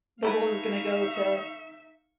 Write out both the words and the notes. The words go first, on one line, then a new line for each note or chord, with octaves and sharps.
the world is gonna go to
A3 D#4 E4 B4 E5 F5 C#6